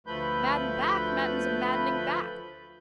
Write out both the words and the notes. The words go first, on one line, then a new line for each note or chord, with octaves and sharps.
Madden back Madden's a maddening back.
D2 F3 A3 B4 B5 G6